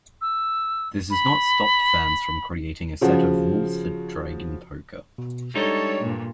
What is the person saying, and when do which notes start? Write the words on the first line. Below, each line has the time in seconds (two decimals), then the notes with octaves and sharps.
This has not stopped fans from creating a set of "Rules For Dragon Poker".
0.21 E6
1.11 B5
3.01 C#3 F3 F#4
5.18 B2
5.55 G3 G#3 D4 D#4 A4 C#5
6.01 G2 A#2